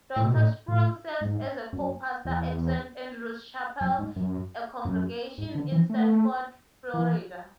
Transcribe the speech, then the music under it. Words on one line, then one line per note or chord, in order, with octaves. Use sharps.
Doctor Sproul serves as co-pastor at Saint Andrew's Chapel, a congregation in Sanford, Florida.
A2
B2
A2
A2
G#2
F#2
E2
F#2
G#2
F#2
F#2
G#2
D3
E3
A3
E3